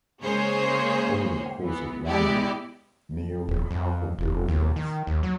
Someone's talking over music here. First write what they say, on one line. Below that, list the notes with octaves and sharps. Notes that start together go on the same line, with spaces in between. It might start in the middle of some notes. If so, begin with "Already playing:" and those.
Over the course of one week, nearly half of the residents.
C#3 G#3 A#3 G#4 C5 C#5
E3 B3
G#3 B3 E4 G4 D5
D#1
F2
F1
D#2
D#3
D#2
F#3